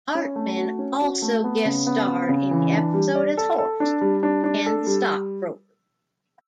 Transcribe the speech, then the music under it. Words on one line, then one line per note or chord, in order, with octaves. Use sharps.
Hartman also guest-starred in the episode as Horst and the stockbroker.
C#4
A3
F#4
C#4
F#4
A3
B3
C#3
B3
C#3
C#3
E3
D4
G3
D5
A4
A4
D4
G3
D4
D4
A4
G3